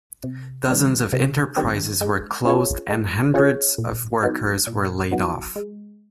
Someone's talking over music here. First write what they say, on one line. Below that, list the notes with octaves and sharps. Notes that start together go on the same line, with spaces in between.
Dozens of enterprises were closed and hundreds of workers were laid off.
C3
D#3 G3 C4
C3
D#3 G3 C4
G#3
C#4 F4 G#4 C#5
G#3
C#4 F4 G#4 C#5
A#2
F#3 B3 D#4 F#4
A#2
F#3 B3 D#4 F#4
G#3